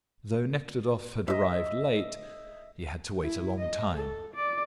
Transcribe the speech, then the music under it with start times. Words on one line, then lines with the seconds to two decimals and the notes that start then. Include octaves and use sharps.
Though Nekhludoff had arrived late, he had to wait a long time.
1.28 D#5 E5
3.22 E4
3.59 D#5
3.97 A4
4.35 D5